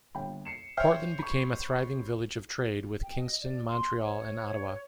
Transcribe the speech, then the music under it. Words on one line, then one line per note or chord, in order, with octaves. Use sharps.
Portland became a thriving village of trade with Kingston, Montreal and Ottawa.
G1 A#2 G5 B5
C7 C#7 E7
C5 C#5 E5 G5 F6
B5 C#6
G5
D#5
D5
C6
C#5